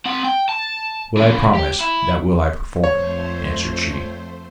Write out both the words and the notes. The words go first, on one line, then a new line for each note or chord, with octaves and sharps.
'What I promised that will I perform,' answered she.
C4 F#5
G5
A5
C#3 E3
G4
E4
F2 A3 C5 C#5